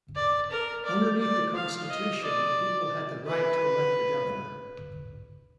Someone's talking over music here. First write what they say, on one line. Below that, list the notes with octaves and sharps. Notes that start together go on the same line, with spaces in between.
Underneath the constitution, the people had the right to elect the governor.
D5
A#4
D5
D5
F5
D#5
D5
B4